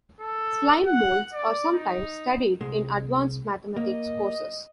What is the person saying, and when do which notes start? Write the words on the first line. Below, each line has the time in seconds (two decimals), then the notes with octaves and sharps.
Slime molds are sometimes studied in advanced mathematics courses.
0.20 A4
0.85 F#5
1.33 D5
1.74 D#4
2.61 C2 G#3
3.76 A#3 D#5